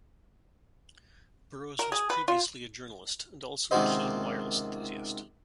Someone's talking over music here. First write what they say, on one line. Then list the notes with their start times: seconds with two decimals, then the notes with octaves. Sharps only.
Burrows was previously a journalist and also a keen wireless enthusiast.
1.79 A#4
1.92 G#4
2.10 B4
2.28 F4
3.71 C#2 C3 D#3 F#4 C5 D#5